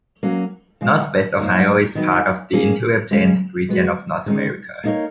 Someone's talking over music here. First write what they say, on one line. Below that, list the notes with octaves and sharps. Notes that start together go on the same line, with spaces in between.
Northwest Ohio is part of the Interior Plains region of North America.
F#3 A#3 C#4
C#3 F3 G#3
F3 A#3 D#4 A#4 C#5
D#3 F#3 B3
A#3 C#4 G#4
C#3 G#3 C#4 G#4
G#3 B3 F#4
D#3 G#3 C#4
A#3 D#4 A#4 C#5